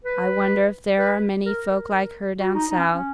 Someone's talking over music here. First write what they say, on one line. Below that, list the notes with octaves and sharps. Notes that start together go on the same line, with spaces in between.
'I wonder if there are many folk like her down South.
B4
B4
A#4
A#4
F#4
D#4
D#4
C#4
C#4